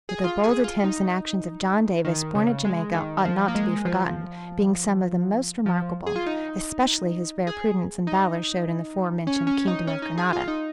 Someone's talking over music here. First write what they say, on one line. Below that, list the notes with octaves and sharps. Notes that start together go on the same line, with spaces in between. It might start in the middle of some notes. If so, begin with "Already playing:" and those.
But the bold attempts and actions of John Davis, born at Jamaica, ought not to be forgotten, being some of the most remarkable; especially his rare prudence and valour showed in the fore-mentioned kingdom of Granada.
G#4
F4
G#4
F4
D#4
D#3
C#3
G#3
D#3
F3
A#3
G#3
F3
F3
G#4
F4
D#4
G#4
D#4
C#4
C#4
D#4
C#4
D#4
G#4
F4
D#4